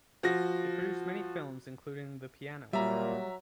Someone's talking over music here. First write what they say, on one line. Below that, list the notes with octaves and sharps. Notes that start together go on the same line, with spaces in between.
They produced many films including "The Piano".
F3 F#4 A#6
A#2 F#3 G3 E5 A#5